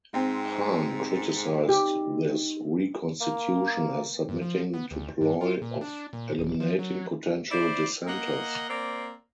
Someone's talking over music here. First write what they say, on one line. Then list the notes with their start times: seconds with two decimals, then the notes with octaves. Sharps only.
Hahn criticized this reconstitution as submitting to ploy of eliminating potential dissenters.
0.14 G#2 C4
1.69 D#4 G4
3.21 A#3
4.29 G2
4.42 F3
4.74 B3
4.91 D2
5.21 G2
5.41 F4
5.62 A#2
5.81 D4
6.13 A#2
6.39 D#1
6.60 F3
6.79 F#3
7.50 E4 C5 D5
8.07 A#3 D#5 F#5
8.68 A#3 C4 D5